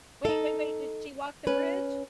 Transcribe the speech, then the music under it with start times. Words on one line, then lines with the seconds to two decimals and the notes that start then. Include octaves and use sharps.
Wait, wait, wait, did she walk the bridge?
0.25 D#4 A4
1.47 C#4 B4